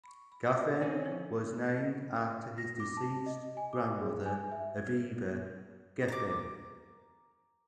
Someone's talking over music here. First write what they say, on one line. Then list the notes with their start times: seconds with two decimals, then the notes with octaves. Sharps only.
Geffen was named after his deceased grandmother, Aviva Geffen.
0.04 B5 C#6
0.32 B5
0.50 B4 D5
0.81 C4 C#4
1.05 F3 E4
2.58 A#6
2.80 D6
2.97 A5
3.26 D#5
3.57 G#5
3.73 D6
4.01 G#4
4.26 G#5
4.52 E5
4.78 G#6
6.08 A#4 D6